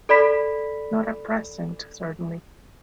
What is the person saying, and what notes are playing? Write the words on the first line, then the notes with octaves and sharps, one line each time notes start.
Not at present, certainly.
A4 D5 B5 B6